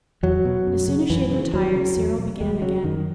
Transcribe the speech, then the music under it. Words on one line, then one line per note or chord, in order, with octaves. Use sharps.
As soon as she had retired, Cyril began again.
E2 F#3
B2
F#2
C#3
F#2 E3
C#3
D#2 F#3
C#3
E2
B2
D#2 G#3
C#3 F#3
F#2 D#3